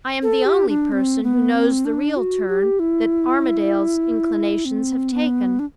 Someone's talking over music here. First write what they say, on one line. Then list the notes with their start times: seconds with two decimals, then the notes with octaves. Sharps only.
I am the only person who knows the real turn that Armadale's inclinations have taken.
0.23 A4
0.45 G4
0.69 D4
0.92 C4
1.23 B3
1.54 C4
1.85 D4
2.16 F#4
2.48 G4
2.79 E4
4.65 C4
5.12 B3
5.59 D4